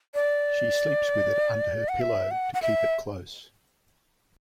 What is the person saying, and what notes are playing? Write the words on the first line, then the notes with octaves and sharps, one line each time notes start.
She sleeps with it under her pillow to keep it close.
D5
F#5
E5
F#5
F#5
E5